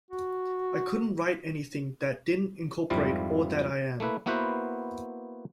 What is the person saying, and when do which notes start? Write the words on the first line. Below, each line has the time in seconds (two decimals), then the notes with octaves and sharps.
I couldn't write anything that didn't incorporate all that I am.
0.10 F#4
2.90 F2 G#2 F3 G3 E4 F4
4.00 A3 A#3 E4 B4
4.26 A#3 B3 E4 F#4 B4 C5